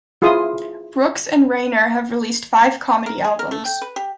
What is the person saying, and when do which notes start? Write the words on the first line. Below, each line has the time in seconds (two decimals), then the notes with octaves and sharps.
Brooks and Reiner have released five comedy albums.
0.22 E4 F4 G#4 C6 D#6
3.06 A#4
3.24 G#4
3.39 A#4
3.51 A3
3.65 G5
3.82 B4
3.96 G4